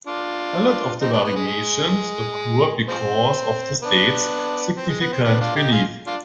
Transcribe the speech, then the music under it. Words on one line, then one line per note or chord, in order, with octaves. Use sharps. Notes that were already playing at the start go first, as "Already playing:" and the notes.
A lot of variations occur because of the state's significant relief.
D4 F4
C4 D#4
B3 D4
B3
G#3
G#3
F3 G#3 C4
B3 D4
C4
G#3
B3
C4
B3 D4
D4 F4
D#4 G4
F4 G#4
D4 F4